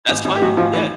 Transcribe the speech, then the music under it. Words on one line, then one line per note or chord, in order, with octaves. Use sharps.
That's fine. Yeah.
G#1
G#1
G4
G#1 F#3 F#4
G#1 F3 F4
E3 E4